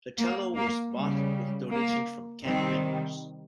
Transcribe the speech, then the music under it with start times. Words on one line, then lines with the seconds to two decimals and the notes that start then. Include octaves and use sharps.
The cello was bought with donations from camp members.
0.19 A#3
0.56 A#3
0.94 C#3 G3
1.70 A#3
2.44 C3 D#3 G3 C4